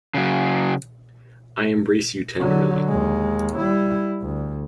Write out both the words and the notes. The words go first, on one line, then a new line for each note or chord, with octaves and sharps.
I embrace you tenderly.
C#3 F#3
D3 F#3
D#2 G#3
G3 E4
D2